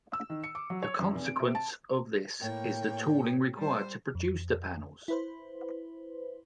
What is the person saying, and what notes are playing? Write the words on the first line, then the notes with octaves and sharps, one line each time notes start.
The consequence of this is the tooling required to produce the panels.
E6
D#3
C#7
D6
F#3
C#5
F#2
F1
D7
C3
A5
A2 A#3 C#5 G5
G3 C5
F2
E4 B4 C5